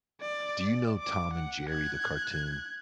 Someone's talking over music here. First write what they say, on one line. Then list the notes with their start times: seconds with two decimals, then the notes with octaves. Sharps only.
do you know Tom and Jerry, the cartoon?
0.21 D5
0.99 D6
1.33 F#5
1.69 F#6 G#6